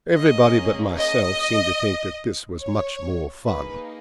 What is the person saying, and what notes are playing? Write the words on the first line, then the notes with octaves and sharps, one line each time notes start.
Everybody but myself seemed to think that this was much more fun.
A#3 C#4 G#4 D#5
D#5
C#5
A#3 D#4 G#4 B4